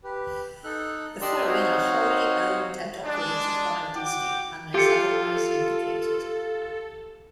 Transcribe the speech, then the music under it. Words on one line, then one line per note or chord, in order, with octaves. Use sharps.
The following are wholly owned and operated by Disney, unless otherwise indicated.
G4 B4
D#4 A4 F#6
D4 G4 D5 D#5 C6 E6
C4 D#4 F#4 C#5 D#5 F5
G#3 D4
F#4 G5 D6
F4 G4 A4 C#7